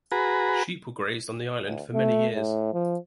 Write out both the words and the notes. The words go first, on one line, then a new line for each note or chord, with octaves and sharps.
Sheep were grazed on the island for many years.
F#4 G#4 B4 A#5
D2
A3
A2
F3